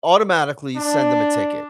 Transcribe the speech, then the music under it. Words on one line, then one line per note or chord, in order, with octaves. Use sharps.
automatically send them a ticket."
D4